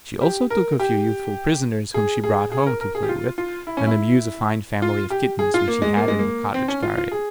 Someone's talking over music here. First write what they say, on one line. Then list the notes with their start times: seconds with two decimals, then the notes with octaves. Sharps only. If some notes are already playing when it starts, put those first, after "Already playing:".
She also took a few youthful prisoners, whom she brought home to play with and amuse a fine family of kittens, which she had in the cottage garret.
0.21 G4
0.50 A#4
0.80 G4
1.94 G#4
2.24 G#4
2.52 G#4
2.66 A#4
2.81 A#4
2.95 G#4
3.03 G4
3.09 F4
3.38 F4
3.67 E4
3.77 C#4
3.87 E4
4.82 F4
5.10 G4
5.39 G#4
5.54 F4
5.68 A#3
5.82 G#3
5.97 A#3
6.08 G#3
6.19 A#3
6.54 C4
6.68 C#4
6.82 F4
6.97 F4
7.12 G#4